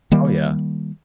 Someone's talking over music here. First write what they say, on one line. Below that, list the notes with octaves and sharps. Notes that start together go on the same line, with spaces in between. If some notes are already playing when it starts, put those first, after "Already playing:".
Oh yeah.
D#3 G3 A#3